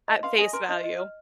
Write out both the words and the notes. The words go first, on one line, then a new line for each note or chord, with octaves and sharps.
At face value.
D#5
F5 C6
D#5 G#5
A#4 C6
F4 D#5
D#5
F6